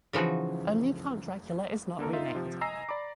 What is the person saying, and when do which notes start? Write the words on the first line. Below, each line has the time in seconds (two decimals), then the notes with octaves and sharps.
Only Count Dracula is not renamed.
0.13 C#3 E3 F3 D#4 F#4
1.99 D3 A#3 A4 A#4
2.13 D#4 F4 E5
2.35 C3 F3
2.61 D#5 G#5 A#5 E6 A#6 C7
2.89 D5 A#5 B5 D6